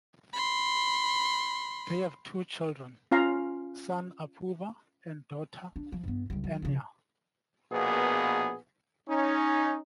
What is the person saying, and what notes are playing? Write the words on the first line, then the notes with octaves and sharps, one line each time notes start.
They have two children: son Apoorva and daughter Ananya.
B5 C6
C#4 F4 F5 A#5
D4
F3
G2 B3
C#2 G3
F#3
C#3 F3
A#1 B2 A#3 B3 G#4
C#4 D#4